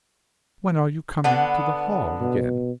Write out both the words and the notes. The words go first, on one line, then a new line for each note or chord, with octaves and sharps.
'When are you coming to the hall again?'
D3 B3
B2